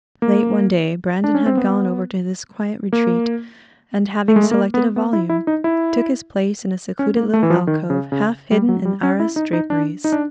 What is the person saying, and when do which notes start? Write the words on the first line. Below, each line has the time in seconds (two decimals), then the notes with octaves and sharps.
Late one day Brandon had gone over to this quiet retreat, and having selected a volume, took his place in a secluded little alcove half hidden in arras draperies.
0.22 A#3
1.24 D4
1.35 C#4
1.46 C4
1.57 B3
2.93 A#3
4.28 A3
4.36 G#3
4.43 A3
4.51 A#3
4.74 B3
4.96 B3
5.13 E4
5.29 E4
5.47 D#4
5.64 E4
6.99 C#4
7.17 A#3
7.33 A3
7.43 E3
7.50 F3
7.67 D#3
7.90 C#3
8.12 C#3
8.51 G3
8.69 F#3
8.85 G3
9.03 C#4
9.20 E4
9.36 D#4
9.53 D#4
9.70 D4
10.04 D#4
10.12 D4